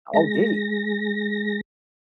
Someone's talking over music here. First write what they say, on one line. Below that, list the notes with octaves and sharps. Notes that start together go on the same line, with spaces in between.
Oh, did he?
G#3 A#6